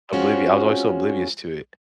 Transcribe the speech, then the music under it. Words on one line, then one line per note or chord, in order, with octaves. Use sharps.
obliviou I was always so oblivious to it,
G#3 C4 C#4 F4 F#4